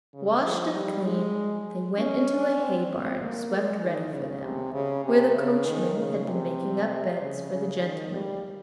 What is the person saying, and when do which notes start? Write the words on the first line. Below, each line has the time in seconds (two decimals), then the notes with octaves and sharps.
Washed and clean, they went into a hay-barn swept ready for them, where the coachman had been making up beds for the gentlemen.
0.14 C#3
0.44 F3
0.75 G3
1.05 G#3
1.98 C#4
2.59 C4
2.90 C4
3.20 A#3
3.51 G#3
3.82 D#3
4.12 C#3
4.43 C3
4.74 C#3
5.04 C3
5.35 C#3
5.66 D#3
5.96 C#3
6.27 C3
7.20 C#3
7.50 C#3
7.81 D#3
8.12 G3